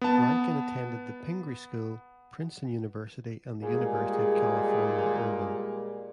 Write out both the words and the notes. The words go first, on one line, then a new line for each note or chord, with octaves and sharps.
Reiken attended the Pingry School, Princeton University and the University of California, Irvine.
B3 A5
A#2 G3 G#3 G#4